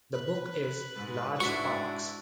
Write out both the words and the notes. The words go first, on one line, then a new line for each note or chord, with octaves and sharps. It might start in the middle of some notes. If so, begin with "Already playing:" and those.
The book is "Large Parks".
B4
G#2
G#2 D4 E4 F#4 E5 C#6